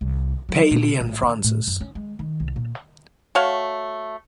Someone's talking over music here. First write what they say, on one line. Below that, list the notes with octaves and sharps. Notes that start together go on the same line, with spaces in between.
Paley and Francis.
C2
F#3
A#2
A1
D4
A2
F#2
C#4
G#3
D#3
C2
A#2
A3 F#4 C#5 F5